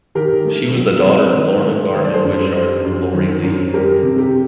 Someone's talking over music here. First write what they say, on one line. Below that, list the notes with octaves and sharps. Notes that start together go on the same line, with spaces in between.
She was the daughter of Lorna Garman Wishart and Laurie Lee.
D#3 G4 A#4
A3
F#3
C3
D#3
A3
D#3 C5
D5
A4 C5
F#2
G3
F#2
D#3
F#2
G3 G4 A#4
C3
G4